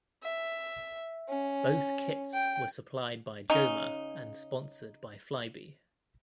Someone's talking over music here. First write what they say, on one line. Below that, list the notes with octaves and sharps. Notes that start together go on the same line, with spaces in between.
Both kits were supplied by Joma and sponsored by Flybe.
E5
C#4
G5
C#3 C#4 D#4